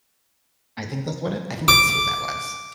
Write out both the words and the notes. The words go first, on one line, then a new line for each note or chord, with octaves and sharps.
I think that's what it I think that's who that was.
D6